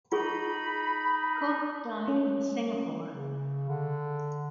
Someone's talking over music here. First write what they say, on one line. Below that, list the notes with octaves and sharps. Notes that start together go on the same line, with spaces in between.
Cooke died in Singapore.
D#4 F4 G#4 B5 C#6
C#4
C#3
D3